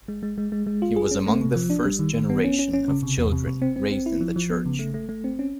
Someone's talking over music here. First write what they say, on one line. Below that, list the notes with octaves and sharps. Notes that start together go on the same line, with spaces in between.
He was among the first generation of children raised in the church.
G#3
G#3
G#3
G#3
G#3
F4
G#4
C#4
A3
C3
F3
D4
G3
D#3
D#3
B3
C#4
C#4
C#4
C#3
C3
E2
C3
C3
C4
C4
C4
E4
F3
F3
B3
C#3
A3
A3
A3
C4
C#4